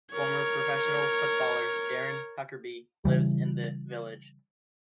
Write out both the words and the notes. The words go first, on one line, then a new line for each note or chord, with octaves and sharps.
Former professional footballer Darren Huckerby lives in the village.
A#4 C#5
C#3 E3 G3